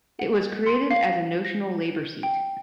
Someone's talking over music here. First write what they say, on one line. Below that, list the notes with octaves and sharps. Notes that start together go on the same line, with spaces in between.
It was created as a notional Labor seat.
F#5
C6
F5
A#6
G5